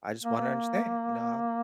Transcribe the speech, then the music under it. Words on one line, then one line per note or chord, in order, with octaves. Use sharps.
I just wanna understand, you know, how
A#3